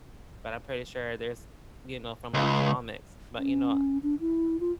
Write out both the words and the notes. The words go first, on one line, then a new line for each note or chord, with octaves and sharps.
but I'm pretty sure there's you know, from like comics, but you know,
C#2
C#4
D4
E4
F4